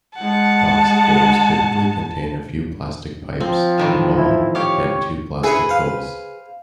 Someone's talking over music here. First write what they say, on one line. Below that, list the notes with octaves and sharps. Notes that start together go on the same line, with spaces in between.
Boxed games typically contain a few plastic pipes, a ball, and two plastic goals.
G#3 F#5 A5
F3 C4
A2 D#3 E3
E4
G4 C#5 F5
E4 G#4 B4 C#5
C5 F5